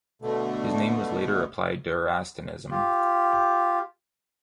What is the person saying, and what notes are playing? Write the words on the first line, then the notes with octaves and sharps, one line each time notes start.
His name was later applied to Erastianism.
B2 D3 A3
F4 G4